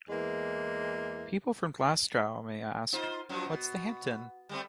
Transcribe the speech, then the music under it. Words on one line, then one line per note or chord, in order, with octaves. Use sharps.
People from Glasgow may ask, What's the Hampden?
E2 E3 G#3 A#3
D#4 F4 C5
F#2 F3 F#3
B2
G3 A3 C4